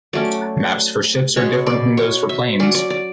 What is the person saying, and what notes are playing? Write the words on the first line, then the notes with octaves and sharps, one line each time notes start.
Maps for ships are different than those for planes.
F#3 A3 C#4 D5
B2 G#3 C#4 C#5
D5
C#5
E5
F#3 C#4 D5
D5
D5